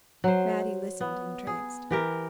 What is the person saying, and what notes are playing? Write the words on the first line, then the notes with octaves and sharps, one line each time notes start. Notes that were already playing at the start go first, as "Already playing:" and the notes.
Mattie listened entranced.
F#3 C5
B3
G#4
E3 G4 A#4